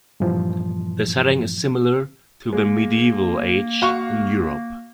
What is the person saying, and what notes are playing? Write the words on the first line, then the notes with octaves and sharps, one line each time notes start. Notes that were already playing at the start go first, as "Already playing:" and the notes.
The setting is similar to the medieval age in Europe.
G2 A#2 E3 F3
G#3 A#3
F#4 F5 C#6